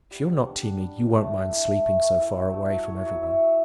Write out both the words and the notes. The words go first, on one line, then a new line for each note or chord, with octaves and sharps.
If you're not timid you won't mind sleeping so far away from every one.
G3 F#5
G3
D4
D4
G3
G3
A3 A5
A3
E4
E4
A3
A3
E4 G5
F#3
A3
F#3
E4 C#5
C#5
F#3
E4 E5
F#3